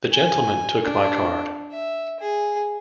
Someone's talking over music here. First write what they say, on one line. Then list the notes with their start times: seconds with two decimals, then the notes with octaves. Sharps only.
The gentleman took my card.
0.11 G#5
0.83 D4
1.72 E5
2.20 G#4